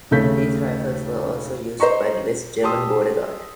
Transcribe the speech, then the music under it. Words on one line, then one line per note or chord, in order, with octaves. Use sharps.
These rifles were also used by the West German border guard.
D#2 C#3 A3 G6 B6
C5 D#5 A#5 C#6
G4 A5 C6 D#6 E6